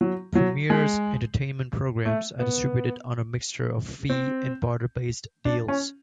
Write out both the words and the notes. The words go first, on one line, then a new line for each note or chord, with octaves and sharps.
Premiere's entertainment programs are distributed on a mixture of fee and barter based deals.
F#3
F#3
G#3
A3
B3
C4
D4
C#4